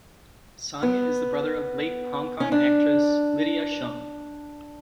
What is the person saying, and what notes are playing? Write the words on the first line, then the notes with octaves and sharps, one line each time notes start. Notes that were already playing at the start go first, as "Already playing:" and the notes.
Sung is the brother of late Hong Kong actress Lydia Shum.
B3
C#4
D4